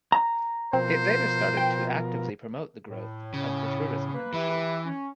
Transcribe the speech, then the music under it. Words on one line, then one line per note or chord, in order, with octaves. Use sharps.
It later started to actively promote the growth of the tourism industry.
A#5
B2 F3 C4 A#4 C5
G5
A2
C#3
A#3 B4
E3 G4 B4 E5
C#4